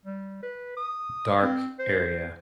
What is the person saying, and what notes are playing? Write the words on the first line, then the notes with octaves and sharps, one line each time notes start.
dark area.
G3
B4
D#6
C4
C5